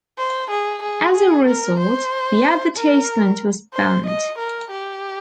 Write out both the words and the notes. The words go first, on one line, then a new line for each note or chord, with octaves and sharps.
As a result, the advertisement was banned.
C5
G#4
G#4
G#4
A#4
C5
A#4
C5
D#5
A#4
G4